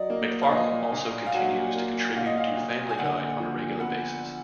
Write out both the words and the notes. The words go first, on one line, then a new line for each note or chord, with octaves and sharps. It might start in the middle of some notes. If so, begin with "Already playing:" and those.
MacFarlane also continues to contribute to "Family Guy", on a regular basis.
Already playing: F#3 D5 D#5
A#3
F5
A#2 D#5
A#2
F5
F#3 F#5
A#3
A#2 F5
D#5
F5
A#2
G#5
D3 F#5
F3
B3 F#5